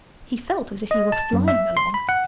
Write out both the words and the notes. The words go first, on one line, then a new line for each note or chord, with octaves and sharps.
He felt as if he were flying along.
D#5
A5
F#2
E5
C6
B5
F#5